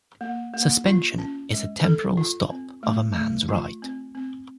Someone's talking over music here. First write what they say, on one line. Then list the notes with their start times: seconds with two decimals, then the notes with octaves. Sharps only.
Suspension is a temporal stop of a man's right.
0.21 A#3
0.54 A#3
0.86 F4
1.18 C#4
1.52 G#3
1.85 A4
2.17 F4
2.50 C4
2.83 A3
3.16 A3
3.49 F4
3.82 C4
4.15 C4